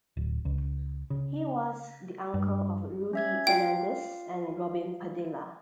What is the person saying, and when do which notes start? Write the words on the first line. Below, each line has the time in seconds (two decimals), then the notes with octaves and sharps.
He was the uncle of Rudy Fernandez and Robin Padilla.
0.17 D1
0.45 C#2
1.10 C#3
2.34 G2
3.13 C#4 E5 G#6
3.47 F4 D5 F5 G5